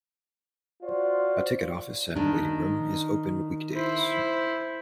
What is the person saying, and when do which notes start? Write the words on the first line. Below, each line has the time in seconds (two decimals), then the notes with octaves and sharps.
A ticket office and waiting room is open weekdays.
0.83 F4 F#4 C5 D5
2.15 D#3 D4
3.73 E4 C5